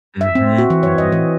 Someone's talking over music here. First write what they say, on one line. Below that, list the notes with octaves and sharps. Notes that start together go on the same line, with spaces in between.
Mhm, mhm.
E5
C4
F#4
E3
C#5
D#5
E3